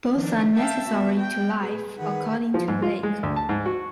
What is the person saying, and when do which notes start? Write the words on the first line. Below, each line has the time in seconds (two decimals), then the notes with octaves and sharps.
Both are necessary to life according to Blake.
0.12 D#3 F3 D4
0.56 E5 F5 G5 A5 E6
0.87 B3 F#4 E5
1.20 G5
1.61 G#4 B4
1.98 D#3 G#4 B4 F#5
2.54 F3
2.68 G#2
2.82 F4
3.03 G#3
3.23 D2
3.36 A5
3.49 G#2
3.66 F#4